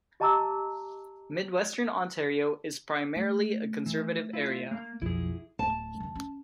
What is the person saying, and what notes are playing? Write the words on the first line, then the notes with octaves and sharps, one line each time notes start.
Midwestern Ontario is primarily a conservative area.
G4 D#5 A5 A#5 D6 E6
A3
E3
E4 F4
A#3
B1 F2 F3 E4 G#4
D1 A5
G2 D#3
C#4